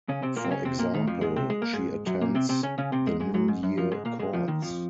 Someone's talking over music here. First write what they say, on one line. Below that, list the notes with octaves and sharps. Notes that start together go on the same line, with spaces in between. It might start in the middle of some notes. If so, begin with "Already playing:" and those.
For example, she attends the New Year Courts.
C#3 C#4
C3 C4
A#2 A#3
C4
C#3 C#4
C3 C4
A#2 A#3
D#2 D#3
F2 F3
G#2 G#3
C3 C4
G#3
A#3
G#2 G#3
F#2 F#3
A#2 A#3
C3 C4
C3 C4
C#3 C#4
C#3 C#4
C3 C4
G#2 G#3
G#2 G#3
F#2 F#3
G#2
F#2
F2 F3
G#2 G#3
A#2 A#3
G#2 G#3
F2 F3
D#2 D#3
F2 F3